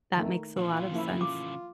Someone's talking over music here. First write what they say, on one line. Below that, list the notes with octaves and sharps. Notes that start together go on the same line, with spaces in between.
That makes a lot of sense.
D#3 A3
A#2 E3 F4
C#3 E3 F3 A#3 E4
F4 D6